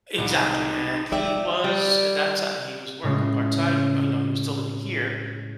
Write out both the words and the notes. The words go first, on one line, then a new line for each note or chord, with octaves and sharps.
Exactly, and he was at that time, he was working part-time. Y oh, no, he was still living here,
C2 G#3 D#4
D5 E5 G5
G3
A2 C#3 G#3 C#4 F4